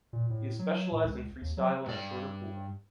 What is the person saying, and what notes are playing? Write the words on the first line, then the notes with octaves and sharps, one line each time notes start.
He is specialized in freestyle in a shorter pool.
A#2
A2
F#3
A2
C#2
D#2
F#3
G2 D5